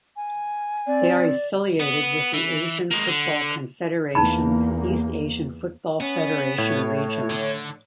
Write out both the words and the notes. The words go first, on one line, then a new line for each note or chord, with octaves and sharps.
They are affiliated with the Asian Football Confederation's East Asian Football Federation region.
G#5
C4 D5
B3
E3
G#3 A#3
D3
E2 A#3 D#4 B5
B3 C#4
A2 A3 C#5
D3